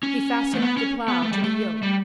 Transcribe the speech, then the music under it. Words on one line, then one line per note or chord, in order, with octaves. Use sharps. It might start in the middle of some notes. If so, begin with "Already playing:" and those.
He fastened the plow to the yoke.
C#4
A3
B3
C#4
B3
A3
G3
A3
G3